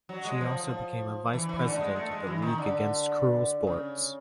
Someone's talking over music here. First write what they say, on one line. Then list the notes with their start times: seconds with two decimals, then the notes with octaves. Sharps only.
She also became a vice-president of the League Against Cruel Sports.
0.09 F#3
0.25 G#3
0.41 F3
0.64 F3
1.33 E3
1.49 E3
1.64 D3
1.74 A3
1.80 G#3
1.96 A3
2.11 G#3
2.27 E3
2.42 D#3
2.58 D3
3.67 C#3